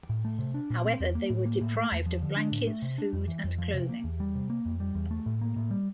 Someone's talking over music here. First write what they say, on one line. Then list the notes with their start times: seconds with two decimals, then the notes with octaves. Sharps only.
However, they were deprived of blankets, food, and clothing.
0.09 A2
0.25 A3
0.39 C3
0.54 D4
0.70 A#2
0.84 C4
1.00 E2
1.15 A#3
1.30 A2
1.45 A#3
1.61 A2
1.76 A3
1.92 E2
2.06 F3
2.22 D3
2.37 D4
2.52 A2
2.67 A3
2.82 C3
2.98 D4
3.13 F2
3.28 E3
3.44 F2
3.58 F3
3.74 C3
3.89 A#3
4.04 E2
4.20 G3
4.35 C3
4.50 A#3
4.65 F2
4.80 G3
4.95 E2
5.11 A3
5.26 A2
5.41 A#3
5.56 A2
5.71 G3